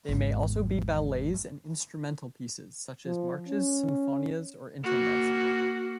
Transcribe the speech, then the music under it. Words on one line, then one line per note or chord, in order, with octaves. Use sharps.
They may also be ballets and instrumental pieces, such as marches, sinfonias, or intermezzi.
G#1 E2
F3
C#4
A#3 F#4